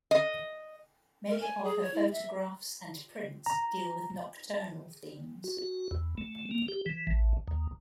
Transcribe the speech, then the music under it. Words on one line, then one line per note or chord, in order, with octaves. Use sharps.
Many of her photographs and prints deal with nocturnal themes.
D#5
A#4
G#5
G#4
C#5
E4
E5
A#5
F#4
F#4
E2
A3
A#3
G4
E3
A1
D#2